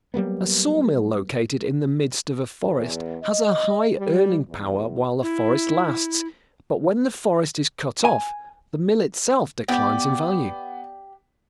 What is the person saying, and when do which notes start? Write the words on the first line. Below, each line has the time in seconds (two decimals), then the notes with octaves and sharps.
A sawmill located in the midst of a forest has a high-earning power while the forest lasts, but when the forest is cut off the mill itself declines in value.
0.14 F#3 G3 A#3 B3
2.64 E2
3.23 D#5
3.98 G3
4.48 E2
5.23 E4
8.05 G#5
9.68 B3 G4 D5